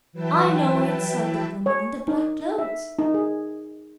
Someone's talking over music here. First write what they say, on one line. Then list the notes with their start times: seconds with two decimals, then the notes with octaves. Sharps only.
"I know it!" said the woman in the black clothes.
0.13 E3 F#3 B4 E5 G5 A5
1.66 C#5
2.08 D#4
2.59 E5
2.99 D#4
3.14 G#4